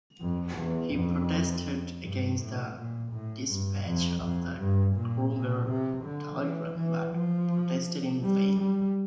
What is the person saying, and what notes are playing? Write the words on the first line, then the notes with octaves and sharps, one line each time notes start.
He protested against the despatch of the Kruger telegram, but protested in vain.
F2
E2
F2
G2
A2
A#2
A2
G2
F2
F2
G2
A#2
A#2
C3
D3
E3
E3
F3
G3
G3